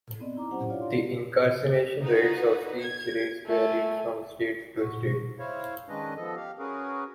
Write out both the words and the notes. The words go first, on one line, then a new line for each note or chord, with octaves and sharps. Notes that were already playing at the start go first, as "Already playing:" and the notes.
The incarceration rates of each race varried from state to state.
B3 C4 D5 D#5
D#4 E4 A#5 D6
F#3 C#4 E4 G4 C5 F#5
D4 E4 F4 C#5 D5 F5
D5 C6
G4
D#4 F#4 B4
G#6
A3 G#5
F#4
E4 C5 C#5 F5
D#3 G#3 C#4 D4 B4 D#5
F3 B3 A4 D#5
G4 F5
C#4 F#4 G#4 A#4 B4